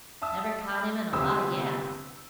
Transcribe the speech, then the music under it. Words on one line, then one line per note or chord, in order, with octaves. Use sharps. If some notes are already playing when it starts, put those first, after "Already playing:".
Never caught him in a lie yet.
E5 A5 D#6 E6
G1 C3 C4 B5 D#6 E6